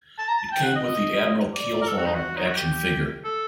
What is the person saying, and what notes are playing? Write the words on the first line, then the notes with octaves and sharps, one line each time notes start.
It came with the "Admiral Keel Haul" action figure.
A5
A#5
A5
G5
F#5
D#5
D5
A#4
A4
F#4
D#4
F#4
D#4
F#4
G4
A4